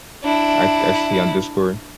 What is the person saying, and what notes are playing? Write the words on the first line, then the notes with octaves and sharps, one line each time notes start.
I c I see on Discord.
D4 E4